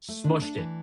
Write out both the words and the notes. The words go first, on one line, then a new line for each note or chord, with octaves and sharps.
smooshed it,
A3
D4
D4
E3